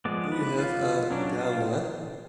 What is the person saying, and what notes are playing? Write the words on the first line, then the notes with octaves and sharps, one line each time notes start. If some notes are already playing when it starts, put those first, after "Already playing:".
Do you have a Delna?
F3 G#3 B3 D5
B4
F4
F#3 C#4 D4
F4